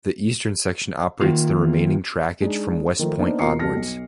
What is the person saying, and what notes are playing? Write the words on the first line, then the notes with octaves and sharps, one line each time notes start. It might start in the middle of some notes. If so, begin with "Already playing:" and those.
The eastern section operates the remaining trackage from West Point onwards.
D#3 A#3 F4
G#3 D4 D#4
D#3 F3 A3
A#3 B3 D4 D#4 A#4 C5
B2 A#3 F4 A#5 C7 C#7
F2 G3 F#4 A5 F6 A#6
B1